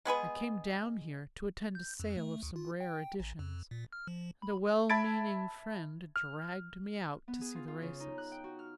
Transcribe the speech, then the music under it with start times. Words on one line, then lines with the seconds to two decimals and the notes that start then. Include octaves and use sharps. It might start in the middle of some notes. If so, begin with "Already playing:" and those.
I came down here to attend a sale of some rare editions, and a well-meaning friend dragged me out to see the races.
0.05 G#3 B3 G#4 B4
1.75 G6
2.00 F2
2.17 A3
2.43 D2
2.56 F4
2.80 G5
3.20 A1
3.39 F2
3.71 A#2
3.92 F6
4.07 F3
4.42 B5
4.90 E5 A5 B5 G#6 A6 D7
6.16 F6
7.28 B3
7.41 G#4
7.55 F4
7.68 F4
7.82 C#3
8.00 D#4
8.18 F#6
8.32 G5
8.44 F#4
8.59 F6